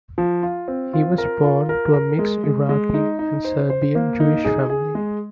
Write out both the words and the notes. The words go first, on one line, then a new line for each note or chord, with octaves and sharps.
He was born to a mixed Iraqi and Serbian Jewish family.
F3
F4
C4
F4
A#4
F4
A#4
A#4
G#3
G#3
G#3
D#4
D#4
C5
C5
A#3
D#4
G#4
G#4
G#3